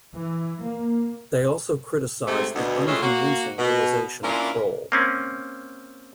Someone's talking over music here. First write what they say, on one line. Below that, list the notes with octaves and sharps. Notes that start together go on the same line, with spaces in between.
They also criticised the "unconvincing" realisation of Kroll.
E3
A#3
G#2 C3 A3
D2 B2
G2 E3 G#3 A3 C#4 F4
A#3 F#4
B2
A#3 C#4 D4 E4 F4 A#4
A#3 C4 C#4